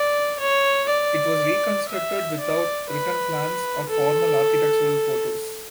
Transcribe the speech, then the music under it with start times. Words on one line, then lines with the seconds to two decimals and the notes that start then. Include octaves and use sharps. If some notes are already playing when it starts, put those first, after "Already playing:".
It was reconstructed without written plans or formal architectural photos.
Already playing: D5
0.40 C#5
0.89 D5
1.89 E5
2.40 D5
2.89 B4
3.89 A4